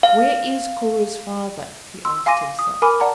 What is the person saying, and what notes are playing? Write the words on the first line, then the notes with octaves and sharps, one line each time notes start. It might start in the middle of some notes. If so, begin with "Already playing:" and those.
"Where is Cora's father?" he asked himself.
F5
C6 E6
F5 G#5 C6 D6 A#6 D#7
D#6
A#4 G#5 B5 D6
D5 F#5 A5 A#5